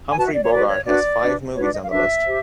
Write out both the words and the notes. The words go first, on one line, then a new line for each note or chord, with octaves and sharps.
Humphrey Bogart has five movies on the list.
G#5
F#4 B4 A5
E5
D5
C#5
F#4 B4 D5
C#5
D4 F#4 B4 D5
D4 F#4 B4
D4 F#4 B4 C#5
D5
D#5
F5
D4 F#4 B4 E5
G4 C5